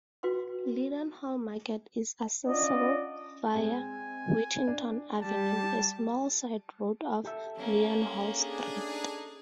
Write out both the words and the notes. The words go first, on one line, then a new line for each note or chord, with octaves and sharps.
Leadenhall Market is accessible via Whittington Avenue, a small side-road off Leadenhall Street.
F#4 B4 G5 C6
C#4 D4 F4 D5 D#5 F#5
G#3 C4 G#5
D4
G3 A5
G4 A4 E5
A#3 C#4
D4 G#4
D#4